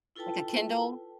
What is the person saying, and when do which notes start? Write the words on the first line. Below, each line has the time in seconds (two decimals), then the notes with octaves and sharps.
Like a Kindle?
0.16 E4 F4 A4 B4 G5 A5